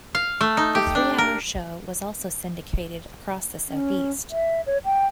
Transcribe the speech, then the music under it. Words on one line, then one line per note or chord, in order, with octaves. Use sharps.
The three-hour show was also syndicated across the Southeast.
F5
A3
D#4
G4
D4
A#4
C#4
E5
C#5
G5